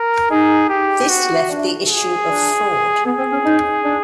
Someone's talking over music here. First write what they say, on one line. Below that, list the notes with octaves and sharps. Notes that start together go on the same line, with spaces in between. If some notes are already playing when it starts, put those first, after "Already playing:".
This left the issue of fraud.
Already playing: A#4
D#4 G#4
G4
F#4
D4
G#4
D4
B3 G#4
C4
C#4
D#4
D4